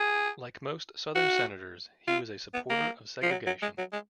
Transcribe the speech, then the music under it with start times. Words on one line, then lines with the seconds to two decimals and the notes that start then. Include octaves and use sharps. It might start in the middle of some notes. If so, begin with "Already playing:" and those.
Like most Southern Senators, he was a supporter of segregation.
Already playing: G#4
1.15 F#4
2.07 F4
2.54 B3
2.70 A#3
3.23 F3
3.31 F#3
3.46 F#3
3.62 G#3
3.78 F#3
3.93 G#3